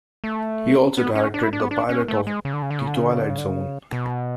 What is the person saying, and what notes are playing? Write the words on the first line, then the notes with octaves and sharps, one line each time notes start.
He also directed the pilot of "The Twilight Zone".
A3
B3
C#4
D4
E4
D4
B3
D4
C#4
A3
G#3
C#3
D3
C#3
D3
C#3
D3
C#3
D3
C#3
D3
C#3
D3
C#3
B2